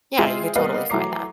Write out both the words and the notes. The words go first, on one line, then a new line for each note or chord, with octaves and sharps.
Yeah, you could totally find that.
G#3 C4 E4 F4 G#4
G3 A#3 B3 B4 D#5 F5
E3 F#3 A3 A#5 D6 C7